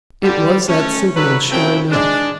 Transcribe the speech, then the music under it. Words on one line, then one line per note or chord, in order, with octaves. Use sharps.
It was that signal, sure enough.
D3 G3
A3 C#4
F#3 D4 A4 B4
F#2 A#2 A3 C4 E4 G5
G#3 D4